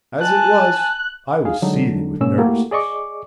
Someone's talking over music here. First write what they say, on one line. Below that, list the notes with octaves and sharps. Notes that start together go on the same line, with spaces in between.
As it was, I was seething with nervousness.
G#5 A5 F#6
D#4 G#4 F5
D3 F#3 G#3 D4 D#4 A4
G#2 B2 A#3 C#4 E6
A3 A#3 E4 F#4 G4
G#4 D5 D#5 C#6 D6